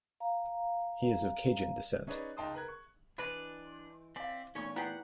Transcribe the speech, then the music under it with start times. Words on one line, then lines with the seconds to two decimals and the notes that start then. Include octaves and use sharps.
He is of Cajun descent.
0.20 F5 A#5
2.07 C#4 D#4 G#4 B4 C#5 D5
2.37 C#2 D#4 G5 A5 C6 D#6
2.54 A#4 B4 F#6 G#6
2.68 C#6
3.18 E3 G#3 D4 B4 D5
4.16 C4 D5 E5 F5 G#5
4.55 E2 A#2 A3 C#4 D#4 C#5 C#6
4.76 B3 E4 G4 G#4 F#5